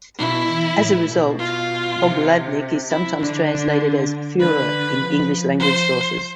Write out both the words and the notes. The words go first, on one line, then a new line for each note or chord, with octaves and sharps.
As a result, "Poglavnik" is sometimes translated as "Fuhrer" in English-language sources.
B2 E4
E3
A2
B2
F4
C3
E4
D3 D4
D3 B4
F3
C5